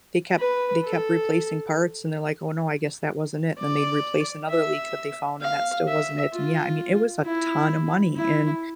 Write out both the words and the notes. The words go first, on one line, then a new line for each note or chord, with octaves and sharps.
they kept they kept replacing parts, and they're like, "Oh, no, I guess that wasn't it." Then they'd replace another leak that they found, and that still wasn't it, and, yeah, I mean, it was a ton of money, and,
B4
A4
D5
E5
F5
E5
F4
E4
E4